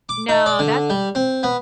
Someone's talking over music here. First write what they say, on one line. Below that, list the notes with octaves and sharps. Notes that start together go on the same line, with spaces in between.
No, that's
D6
D#4
D5
D3
G3
C4
B3